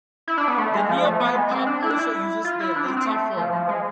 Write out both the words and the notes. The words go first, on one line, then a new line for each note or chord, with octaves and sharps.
The nearby pub also uses the latter form.
E4
D4
B3
A3
G#3
F3
A3
B3
G#3
C4
D4
E4
D4
E4
F4
E4
D4
C4
C4
A3
F3
F3
G#3